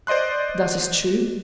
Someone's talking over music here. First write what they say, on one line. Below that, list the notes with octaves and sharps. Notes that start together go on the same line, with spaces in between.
"That is true."
C5 D5 D#5 C6 F#6